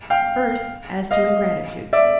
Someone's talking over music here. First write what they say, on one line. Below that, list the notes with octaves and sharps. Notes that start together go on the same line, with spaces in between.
First, as to ingratitude.
F5 G5
D#5 F5
D5 E5